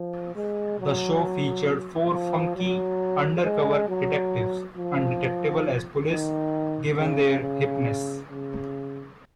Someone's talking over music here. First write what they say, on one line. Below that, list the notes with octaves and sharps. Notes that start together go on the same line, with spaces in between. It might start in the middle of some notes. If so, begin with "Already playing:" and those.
The show featured four "funky" undercover detectives: undetectable as police, given their "hipness".
Already playing: F3
G#3
F#3
F3
F#3
G#3
F#3
F3
D#3
C#3
C#3
C#3